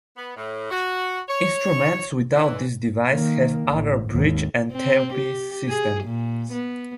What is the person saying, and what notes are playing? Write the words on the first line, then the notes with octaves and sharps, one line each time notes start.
Instruments without this device have other bridge and tailpiece systems.
B3
A2
F#4
C#5
E3
D#3 A#3
A1
G#1 D#2
C4
G4
G#4
A#2
B3